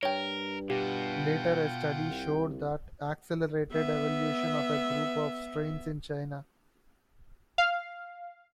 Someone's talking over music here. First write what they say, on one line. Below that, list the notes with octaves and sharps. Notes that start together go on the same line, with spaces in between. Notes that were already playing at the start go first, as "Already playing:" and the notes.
Later a study showed that accelerated evolution of a group of strains in China.
G2 A#4 C#5 G5
B2 F4 G4 F#5 G5
C2
B3 E5
F5